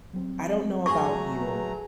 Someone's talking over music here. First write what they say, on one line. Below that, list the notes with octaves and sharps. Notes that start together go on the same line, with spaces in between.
I don't know about you,
F#3 G3 C4
G2 E3 F#3 A3 G#4 A#5 C#6
B4